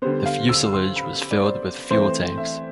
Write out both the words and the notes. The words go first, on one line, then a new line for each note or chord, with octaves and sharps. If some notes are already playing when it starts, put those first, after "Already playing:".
The fuselage was filled with fuel tanks.
D3 G3 B3 C5
F5
E6
C6
B5
D5
C5
E3 A3 C4 C5
E5